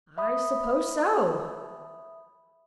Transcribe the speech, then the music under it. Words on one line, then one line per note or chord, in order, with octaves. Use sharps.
'I suppose so.
E5 B5 D#6